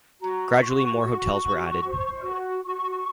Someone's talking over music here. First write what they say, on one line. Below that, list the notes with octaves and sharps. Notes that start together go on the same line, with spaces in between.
Gradually more hotels were added.
F#4 A#5
F#4 C#6
C6
C#6
F#4
F#4
C5
F#4
F#4 C#6